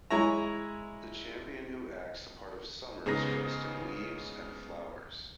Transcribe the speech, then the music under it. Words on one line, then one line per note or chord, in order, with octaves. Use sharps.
The champion who acts the part of Summer is dressed in leaves and flowers.
G#3 E4 C#5 A#5
G#2 C#3 B3 G#4 A#5 A#6